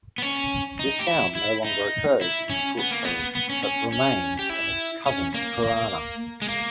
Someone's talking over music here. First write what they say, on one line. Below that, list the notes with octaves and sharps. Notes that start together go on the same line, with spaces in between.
This sound no longer occurs in Khoekhoe but remains in its cousin Korana.
B3
C#4
D#4
G4
E4
E4
D#4
E4
C#4
B3
A#3
B3
B3
C#4
C#4
C#4
G4
E4
C#4
A#3
G#3
A#3